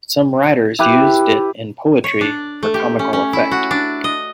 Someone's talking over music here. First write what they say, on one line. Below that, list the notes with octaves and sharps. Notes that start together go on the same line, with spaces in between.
Some writers used it in poetry for comical effect.
E4 G4 B4
C#5
D4
A3
G4
C#4
C#4
E4
F#4
D4
D#5